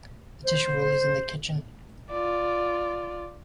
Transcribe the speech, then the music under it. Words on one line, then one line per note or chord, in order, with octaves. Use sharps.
The tissue roll is in the kitchen.
C5
F4 D5